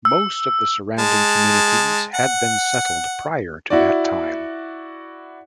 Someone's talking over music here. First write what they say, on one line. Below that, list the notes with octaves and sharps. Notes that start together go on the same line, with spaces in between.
Most of the surrounding communities had been settled prior to that time.
E6
G#3 A5
F#5
E4 F#4 D5